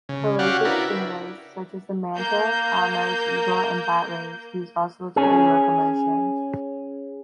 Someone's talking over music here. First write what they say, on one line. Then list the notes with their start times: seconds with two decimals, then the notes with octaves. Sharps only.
Pelagic stingrays, such as the manta, cownose, eagle and bat rays use oscillatory locomotion.
0.09 C#3
0.39 C#4 F#4 G4 D5 F5 F#5
0.65 D4 E4 F#4 A#4 B4
0.85 E5
2.16 A#3 G6
5.16 C#4 G#4